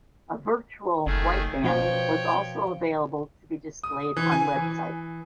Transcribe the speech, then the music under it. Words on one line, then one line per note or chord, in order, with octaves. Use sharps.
A "virtual" white band was also available to be displayed on websites.
F#1 D#3 A3 G#4
B2 F3 C#5 G5
D#6
E3
G#5
E3